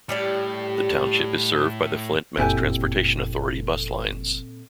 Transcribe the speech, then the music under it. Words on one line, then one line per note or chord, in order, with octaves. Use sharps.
The township is served by the Flint Mass Transportation Authority bus lines.
A2 G3 G4 D5
F#1 F2 A#2 C4 E4 G4 A4 G#5